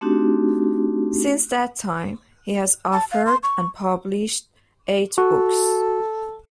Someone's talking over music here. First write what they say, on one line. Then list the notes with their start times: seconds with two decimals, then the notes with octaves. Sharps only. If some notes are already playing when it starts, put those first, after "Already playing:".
Since that time, he has authored and published eight books.
0.01 A3 C4 D4 D#4 F#4 G4
2.93 A5
3.12 F5
3.26 C6
3.43 C#6
5.18 F#4 A4